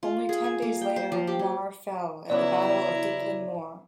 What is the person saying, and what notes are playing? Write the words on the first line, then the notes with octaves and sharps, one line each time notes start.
Only ten days later Mar fell at the Battle of Dupplin Moor.
F4
G#4
G#5
A#3
G5
C5
F3
G4
F#3
E2 C#3 F#3 E4 D5 A#5